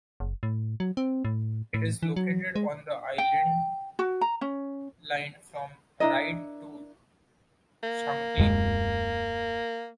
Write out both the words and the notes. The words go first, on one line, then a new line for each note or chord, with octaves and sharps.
It is located on the Island Line from Ryde to Shanklin.
F#1
A2
F#3
C4
A2
A2
E3
F#3
G#3
G5
F#4
A#5
C#4
D4 E4 A#4 D#5
A#3
D#1 F#2 G#3